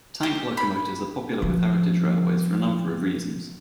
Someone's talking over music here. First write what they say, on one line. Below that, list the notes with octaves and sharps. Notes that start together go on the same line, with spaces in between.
Tank locomotives are popular with heritage railways for a number of reasons.
G4
B5
F3 G3